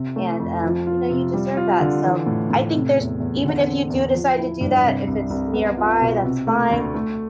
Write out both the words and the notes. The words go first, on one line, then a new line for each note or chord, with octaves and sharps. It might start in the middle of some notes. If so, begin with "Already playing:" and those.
and, um, you know, you deserve that. So, I think there's even if you do decide to do that, if it's nearby, that's fine.
Already playing: C3
A3
F2
F3
F4
C3
G3
F4
D3
E3
A2
A2
C3
E2
E2
D3
C4
E2
F3
E4
G2
C3
C2
C2
B3
F4
B2
C3
A3
D2
A3